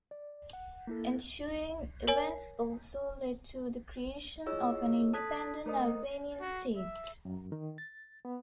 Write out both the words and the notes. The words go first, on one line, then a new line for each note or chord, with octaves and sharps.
Ensuing events also led to the creation of an independent Albanian state.
D5
F#5
A#3 E4 A4
A#4 C#5 G#5
E4 F4 G#4 C#5 D#5 E6
A4 A5 D#6 F#6 G#6 B6
A3 A#4 C5 D#5 D#6
F#4
E5
F#2
D#3
A6
B3